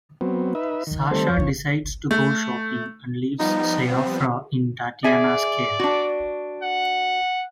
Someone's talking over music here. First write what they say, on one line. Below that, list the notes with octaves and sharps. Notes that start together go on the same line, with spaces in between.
Sasha decides to go shopping and leaves Sioffra in Tatiana's care.
F#3 B3 C4
D#4 B4 E5
D#3
D#3 G3 A3 C4 A4 C5
F2 C#5
A3
F3 G3 B3 D#4
C4
G#4 D5 E5 G#5
D4 F#4
F#5